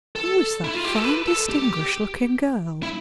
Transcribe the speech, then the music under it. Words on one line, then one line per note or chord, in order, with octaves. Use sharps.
'Who is that fine distinguished-looking girl?
A4
E4
F4
G4
A4
B4
A4
G4
E4